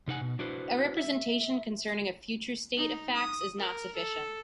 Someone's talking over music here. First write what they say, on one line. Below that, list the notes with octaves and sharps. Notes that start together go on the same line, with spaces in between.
A representation concerning a future state of facts is not sufficient.
C3 D#4 F#5 G#5
B2
D4 E4 F#4 B4 C5
E5
D#4
D#6
A#4
A4